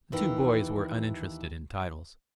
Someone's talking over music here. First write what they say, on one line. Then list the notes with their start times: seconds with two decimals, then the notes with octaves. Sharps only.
The two boys were uninterested in titles.
0.12 D#2 E3